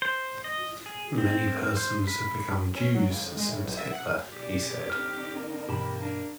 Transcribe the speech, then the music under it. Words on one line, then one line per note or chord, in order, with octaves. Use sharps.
"Many persons have become Jews since Hitler," he said.
C5
D#5
G#4
C4
C5
B5
C#4
F#3
C#2
F2
G#3
A2
B1
E5
F#5
B2 G4 G#4 D5
D3 C4 D#4 F6
A#3
G2 B2 E3 G4 A5 B5
A#3 D4